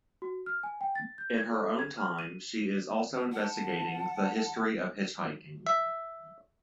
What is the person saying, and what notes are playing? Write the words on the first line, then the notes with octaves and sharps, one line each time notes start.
In her own time, she is also investigating the history of hitchhiking.
F#4
F6
G#5
G5
A6
G6
G#6
A4
G#6
F6
D#7
F#5 A5
E5